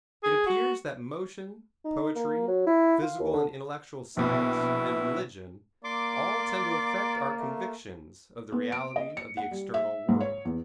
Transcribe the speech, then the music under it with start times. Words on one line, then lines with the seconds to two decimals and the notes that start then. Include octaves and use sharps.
It appears that motion, poetry, physical and intellectual science, and religion, all tend to affect our convictions of the reality of the external world.
0.23 G#4
0.46 F#4
1.85 D#4
2.15 A#3
2.47 F#3
2.66 E4
3.02 F4
3.19 D#2
3.33 D3
4.17 A#1 B2 B3 E4
5.84 A#3 D5 C6 D6
7.39 A3
8.52 B3
8.72 D7
8.96 D#5
9.17 C#7
9.37 F#5
9.51 G3
9.74 E5
10.09 G#2
10.20 C#5
10.45 E2